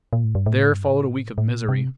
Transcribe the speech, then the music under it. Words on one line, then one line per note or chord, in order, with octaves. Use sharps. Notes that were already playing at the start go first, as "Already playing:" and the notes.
There followed a week of misery.
A#2
A2
G2
A2
G2
A2
A2
A#2
C3